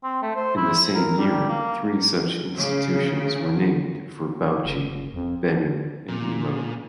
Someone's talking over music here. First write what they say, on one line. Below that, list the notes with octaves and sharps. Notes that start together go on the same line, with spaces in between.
In the same year three such institutions were named for Bauchi, Benue and Imo.
C4
A3
C5
E4
A#4
G3
A#3
C#3
F#1
F2
A#2